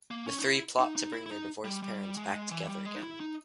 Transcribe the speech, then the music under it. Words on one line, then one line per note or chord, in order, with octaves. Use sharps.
The three plot to bring their divorced parents back together again.
A#3
C#4
D#4
E4
D#4
D#4
E4
E4
D#4
G3
G3
G#3
E3
G3
G#3
D#4
E4
D#4